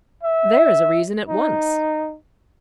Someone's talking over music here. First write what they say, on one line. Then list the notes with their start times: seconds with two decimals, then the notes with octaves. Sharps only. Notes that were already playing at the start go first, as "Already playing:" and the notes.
There is a reason at once.
0.23 E5
1.28 D#4